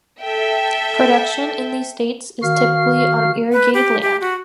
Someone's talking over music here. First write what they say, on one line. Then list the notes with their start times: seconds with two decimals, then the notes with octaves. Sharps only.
Production in these states is typically on irrigated land.
0.21 A4 E5 G5
2.42 D#3 F#4 F5 F6
3.52 B4
3.74 G4
4.02 G4
4.21 F#4